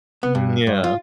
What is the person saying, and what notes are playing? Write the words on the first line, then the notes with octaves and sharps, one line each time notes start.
Mm, yeah.
B3
G2
G2
F4